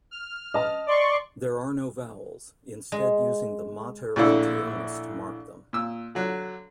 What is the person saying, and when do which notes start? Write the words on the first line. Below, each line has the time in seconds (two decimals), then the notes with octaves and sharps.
There are no vowels, instead using the mater lectionis to mark them.
0.11 F6
0.54 D#5 A5
0.87 D5 C6 C#6
2.92 G#3
4.16 A#1 A2 D3 D4 E4 A4
5.73 A#2 E6
6.15 D3 F#3